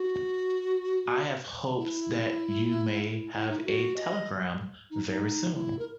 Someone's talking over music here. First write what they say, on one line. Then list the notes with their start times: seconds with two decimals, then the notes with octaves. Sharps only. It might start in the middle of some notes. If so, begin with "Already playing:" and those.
I have hopes that you may have a telegram very soon.
Already playing: F#4
1.78 E4
3.02 E4
3.34 E4
3.49 D#4
3.57 E4
3.65 F#4
3.96 D#5
4.90 D#4
5.07 D#4
5.52 E4
5.79 A#4